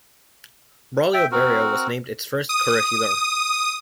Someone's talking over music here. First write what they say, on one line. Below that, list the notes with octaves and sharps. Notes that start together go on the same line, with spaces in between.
Braulio Berrio was named its first "Corregidor".
E5 G5
C4 F#4 A#4
D#6